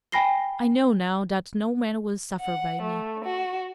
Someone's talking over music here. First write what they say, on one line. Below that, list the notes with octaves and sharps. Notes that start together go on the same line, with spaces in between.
'I know now that no man will suffer by me.
G5 G#5 B5 A#6 C7 G7
F#5
A3
F#4